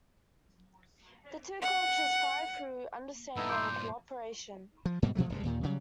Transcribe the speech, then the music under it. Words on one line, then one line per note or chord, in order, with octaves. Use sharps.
The two cultures thrived through understanding and co-operation.
F#5
G2 A#2 D#4 E4 A4
C6 D6 G6
C5
F3
G#2 B2 G3 A#3
B2 F3 F#3 A3
F1 A#2 G3 G#3
D#2 A#2 D#3
C#3 F#3 G3